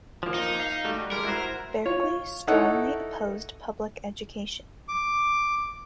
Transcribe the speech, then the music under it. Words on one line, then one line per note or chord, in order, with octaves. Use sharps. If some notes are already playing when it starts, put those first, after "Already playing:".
Berkeley strongly opposed public education.
F3 A#3
D#4
F5
G3 A3 F#4
G3 G#3 A#4
E4 F#4 C5
F4 C#5
D#4 E4 A4 C#5 F#5
D6